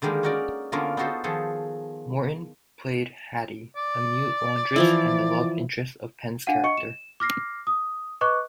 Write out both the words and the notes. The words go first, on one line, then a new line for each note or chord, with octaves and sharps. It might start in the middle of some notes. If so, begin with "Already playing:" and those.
Morton played Hattie, a mute laundress and the love interest of Penn's character.
D3 D#3 G3 G#3 A#3 A#4
C#4 D#4 F#4 A#4 D5
D3 A#3 B3 C#4 F4 A#4
B3 D#4 F4 F#4 A4 C5
D#3 F3 G#4 A4
D5
E3 F3 E4
D4 F5 F#5 D#7
D#5 C#6 C#7
E7
D6 F6 A#6 C7
D#6
B4 D#5 C#6 D6 F#6